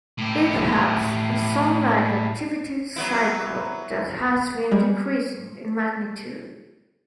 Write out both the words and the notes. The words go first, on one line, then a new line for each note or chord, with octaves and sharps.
It has a Sun-like activity cycle that has been decreasing in magnitude.
A2 G4
F#3 B3 E4
G3 G#3